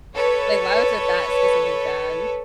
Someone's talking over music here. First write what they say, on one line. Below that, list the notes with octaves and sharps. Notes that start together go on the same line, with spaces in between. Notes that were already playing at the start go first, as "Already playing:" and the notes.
Like, why was it that specific bag?
A4 B4 C#5